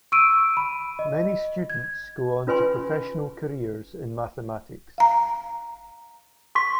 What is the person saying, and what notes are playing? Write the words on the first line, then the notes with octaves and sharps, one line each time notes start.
Many students go on to professional careers in mathematics.
C#6 E6 D7 D#7
B5
D#5
G#6
C#4 F4 B4 G#5 C6
F5 A#5
C6 C#6 B6